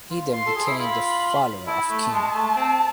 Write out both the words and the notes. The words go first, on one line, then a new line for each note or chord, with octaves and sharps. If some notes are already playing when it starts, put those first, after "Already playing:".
He then became the follower of Kim.
F4
F4 C6
A4
G#4
E4
F4 B5
E4 A5
A3
G#3
A3
C4